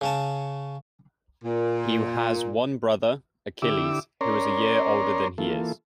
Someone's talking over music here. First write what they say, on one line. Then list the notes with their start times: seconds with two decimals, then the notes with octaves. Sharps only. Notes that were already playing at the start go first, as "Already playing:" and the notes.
He has one brother, Achilles, who is a year older than he is.
0.01 C#3 C#4 A5
1.44 A#2
3.62 D3 E4 G4 D6 E6
4.21 C#4 A#4 C#5 D5 A#5 C6
5.38 E3 A#3 F4 A4